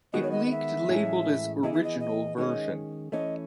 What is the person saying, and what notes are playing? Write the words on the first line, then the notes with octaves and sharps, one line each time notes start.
It leaked labeled as "Original Version".
D#3 G#3 B3 F#4 D#5
C#5
D#5
D#5
E5
A2 E3 G#3 C#4 G#4
E3 B3 E4 G#4 D#5
E5
D#5
D#5
D#3 G#3 C#4 G#4 D#5
E3 A3 C#4 D#5